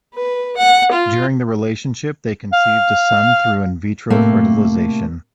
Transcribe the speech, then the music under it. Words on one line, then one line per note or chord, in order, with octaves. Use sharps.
During the relationship they conceived a son through in vitro fertilization.
B4
F#5
F4
F5
A2 C3 A3 A#3